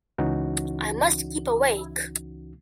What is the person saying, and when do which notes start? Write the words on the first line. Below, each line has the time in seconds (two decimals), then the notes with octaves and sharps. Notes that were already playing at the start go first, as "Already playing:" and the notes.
I must keep awake.
0.18 C#2 E3 C#4 D#4 F#4